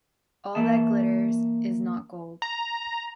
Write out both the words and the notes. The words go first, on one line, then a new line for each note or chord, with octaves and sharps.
All that glitters is not gold.
E3 A#3 E5 A5
A#5